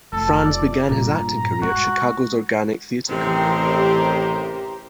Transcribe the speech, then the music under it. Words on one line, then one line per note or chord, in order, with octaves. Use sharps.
Franz began his acting career at Chicago's Organic Theater Company.
F1 A4
D5
G2 A#2 A#5
G#3 F#4
A1 C3 D#3 C4 G4 A#4 C5